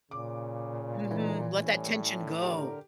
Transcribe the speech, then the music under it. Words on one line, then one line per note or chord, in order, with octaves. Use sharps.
Mhm, let that tension go.
A#2 C#3 D6
E3 A3 D#4
A2 G3 C#4
D3 G4 A#4